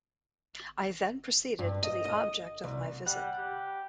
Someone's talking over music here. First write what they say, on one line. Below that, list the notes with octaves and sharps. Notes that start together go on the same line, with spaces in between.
I then proceeded to the object of my visit.
G2
D#5
D#5
C2
G3 F#5
G4